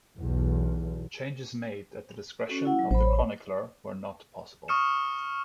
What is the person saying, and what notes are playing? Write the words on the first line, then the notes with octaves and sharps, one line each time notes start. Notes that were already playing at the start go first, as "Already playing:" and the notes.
Changes made at the discretion of the chronicler were not possible.
B1 E2
C#4 F#4 A4
E4 F#5
F#3
A1 C5 B5
C#5
C#6 D#6 F6 C#7 E7